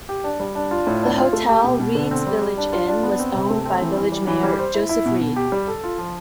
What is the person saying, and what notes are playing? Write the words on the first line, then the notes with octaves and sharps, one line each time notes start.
The hotel, "Reid's Village Inn", was owned by village mayor Joseph Reid.
G4
D4
G3
D4
F4
A2
D4
F4
A3
G4
B2
B2
D3
C4
G3
G3
D4
F4
D4
B3
C4
C3
A3
C4
E3
E3
G3
E3
G3
C5
E4
E4
B2
B2
G4
G3
A4
F4
F3